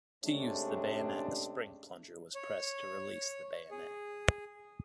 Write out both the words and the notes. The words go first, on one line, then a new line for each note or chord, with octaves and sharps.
To use the bayonet, a spring plunger was pressed to release the bayonet.
C3 G#3 A3 C#4 D4
C#5
G#4